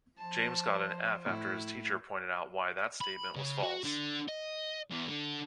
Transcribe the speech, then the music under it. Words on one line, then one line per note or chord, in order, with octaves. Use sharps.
James got an F after his teacher pointed out why that statement was false.
F3 C5 A5
A2 E4
B5
C#3
F#4
D3
D#5
E2
D3